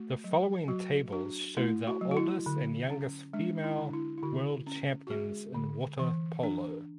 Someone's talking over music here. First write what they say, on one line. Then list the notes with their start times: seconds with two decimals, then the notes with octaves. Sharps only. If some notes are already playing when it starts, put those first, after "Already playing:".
The following tables show the oldest and youngest female world champions in water polo.
Already playing: A3 F#4
0.24 F#3
0.68 F#3 F#4
1.13 D4 F#4
1.57 A3 E4
1.87 F#4
2.01 F#3
2.11 F#4
2.17 E4
2.46 D3
2.90 C#4
3.33 G#3 D4
3.64 E4
3.78 D3
3.87 D4
3.94 E4
4.18 E4
4.23 D3 F#4
4.67 C#4
5.07 F#4
5.10 G#3 G#4
5.55 D3
5.99 E3
6.43 D4